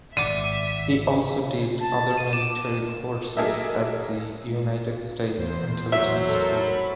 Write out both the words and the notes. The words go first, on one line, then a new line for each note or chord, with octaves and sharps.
He also did other military courses at the United States Intelligence School.
G#1 G#2 D5 E5 F#5 D6 D#7
A5
D#7
D6 E7
F#3 A#3 G#4 A4 D#5 E5
E2 C5
F#3 E5
A4 A#4 C5
B5